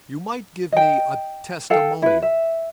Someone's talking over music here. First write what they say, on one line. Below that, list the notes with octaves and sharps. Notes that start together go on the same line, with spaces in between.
"You might give me a testimonial."
D#5 G5
A4 F5 G5
E4 B4
E5